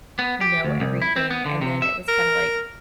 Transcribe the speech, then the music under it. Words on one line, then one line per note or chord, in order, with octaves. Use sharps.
know everything, and then it was kinda like,
B3
G4
D2
C2
E4
C4
B3
D3
C3
E5
A#4